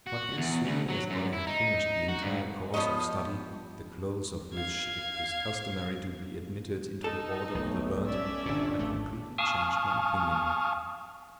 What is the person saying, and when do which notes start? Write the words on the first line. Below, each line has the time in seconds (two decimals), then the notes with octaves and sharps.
But as soon as I had finished the entire course of study, at the close of which it is customary to be admitted into the order of the learned, I completely changed my opinion.
0.07 F#4
0.37 E2
0.65 D2
0.89 F#3
1.10 F#2
1.33 E4
1.47 D#4
2.09 F#4
2.22 G2
2.74 F3 G3 B3 C#5 D#5
4.54 F5 G#6
7.04 D#4 A4
7.55 B1 A3
8.07 C#4 D5 E5
8.46 G1 A#2 D4
8.79 G#1 A3
9.38 F5 G#5 A5 C#6 D#6 F6